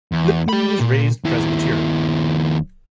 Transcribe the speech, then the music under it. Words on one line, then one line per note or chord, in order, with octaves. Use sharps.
Lippman was raised Presbyterian.
E2
G4 B5
A#2
D#2 E4